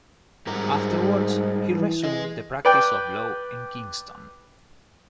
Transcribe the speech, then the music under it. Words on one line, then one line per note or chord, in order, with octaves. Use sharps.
Afterwards he resumed the practice of law in Kingston.
G#2 F#3 G3 A#4
E3
G#4 D#5
B4 D5 G5